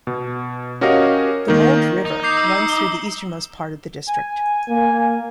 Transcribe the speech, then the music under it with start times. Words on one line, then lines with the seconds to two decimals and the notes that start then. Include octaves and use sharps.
The Mulde River runs through the easternmost part of the district.
0.07 B2
0.81 C#4 F#4 G4 A#4 D#5 F5
1.48 D#3 A#3 D#4
2.05 D#4
2.23 D6 G6 C7
2.37 E6
2.69 G7
4.08 G#5
4.68 A#3